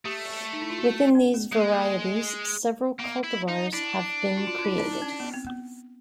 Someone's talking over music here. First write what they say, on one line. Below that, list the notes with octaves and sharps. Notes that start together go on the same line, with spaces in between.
Within these varieties, several cultivars have been created.
A3 G4
D#4
E4
F4
F#4
C#4
B3
G#3 A#3
A#3
A#3 B3
E4
D#4
D4 E4
F#4
F4
F4
E4
E4
D#4
C#4
B3
C4
B3